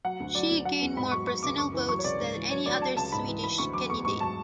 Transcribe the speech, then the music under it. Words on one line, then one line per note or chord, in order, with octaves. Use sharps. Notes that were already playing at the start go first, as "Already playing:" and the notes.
She gained more personal votes than any other Swedish candidate.
F#3 F#5
D2
F#3 D5
D2
F#3 F#5
E2
G#2 B5
F#3 C#6
F#3 C#6
C#2 D6
F#2 C#6
E3
F#3 C#6
C#5
C#2 D5
G#2
E3
F#3 C#5
D2 D5
F#3 A5
C#2 A5
G#2 B5
E3
E3 B5
D2 C#6
F#3 D6
E2 C#6
G#2 C#6
F#3 A5